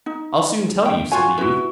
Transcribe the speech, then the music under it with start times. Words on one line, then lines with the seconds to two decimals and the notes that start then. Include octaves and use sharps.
I'll soon tell you', said the youth.
0.06 D#4
0.85 G5
1.11 F4 F#4 C#5 G#5
1.38 E4 F#4 B4